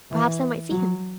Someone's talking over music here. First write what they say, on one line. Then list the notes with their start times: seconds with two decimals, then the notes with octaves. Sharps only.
'Perhaps I might see him.
0.11 E3
0.71 F#3